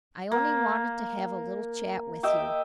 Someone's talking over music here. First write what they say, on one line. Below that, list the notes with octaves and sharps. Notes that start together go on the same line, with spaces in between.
I only wanted to have a little chat with you.
A#3
D#5 E5 G5 D6